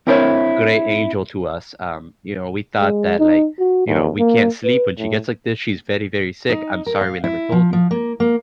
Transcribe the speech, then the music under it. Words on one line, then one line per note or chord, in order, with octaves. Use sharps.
great angel to us." Um, you know, "we thought that like" you know, "we can't sleep when she gets like this. She's very, very sick. I'm sorry we never told you."
C4 D4 E4 A#4 C5 C#5
G#3
D#4
F#4
D#2
A#3
B4
A2
D#4
A#4
F5
E4
F3
F3
A#3
A#3